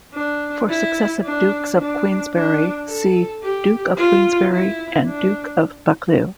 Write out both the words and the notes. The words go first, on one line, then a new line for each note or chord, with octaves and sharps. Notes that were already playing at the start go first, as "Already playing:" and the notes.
"For successive Dukes of Queensberry see" Duke of Queensberry "and" Duke of Buccleuch.
D4
E4
D4
D4
D4
A4
G4
F4
E4
D4